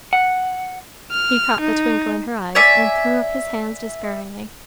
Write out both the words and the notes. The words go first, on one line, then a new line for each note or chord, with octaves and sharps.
He caught the twinkle in her eyes and threw up his Hands despairingly.
F#5
F6
D#4
C#5 D5 E5 G#5